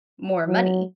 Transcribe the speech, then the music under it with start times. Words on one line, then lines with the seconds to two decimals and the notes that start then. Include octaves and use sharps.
more money.
0.47 F#3